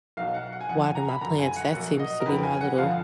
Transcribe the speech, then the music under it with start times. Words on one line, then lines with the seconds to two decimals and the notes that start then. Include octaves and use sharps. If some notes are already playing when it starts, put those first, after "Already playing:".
water my plants, that seems to be my little
0.17 B1 B2 F#3 F5
0.34 F#5
0.52 F#5
0.61 G#5
0.69 F2 F3 F#5
0.82 G#5
0.95 A#5
1.08 B5
1.21 F#1 F#2 D3 F#3 A#5
1.39 G#5
1.56 F#5
1.73 A#1 A#2 F#3 F#5
1.99 D#5
2.20 A#4
2.26 F2 D#3 F#3 B4
2.43 G#5
2.61 F#5
2.78 F2 D3 F3 F5